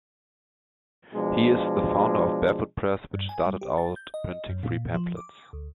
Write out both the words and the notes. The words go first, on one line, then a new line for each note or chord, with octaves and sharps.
He is the founder of Barefoot Press, which started out printing free pamphlets.
B2 F3 G#3 D4
G2
G#5
G3
G4
A6
G6
D#5
F#2
A#2
F3
D6
D2